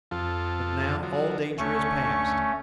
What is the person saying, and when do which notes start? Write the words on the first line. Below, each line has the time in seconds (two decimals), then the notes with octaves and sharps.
But now all danger is past.
0.11 F2 F4 A4
1.03 F3 F#3
1.58 D2 A3 C#4 C#6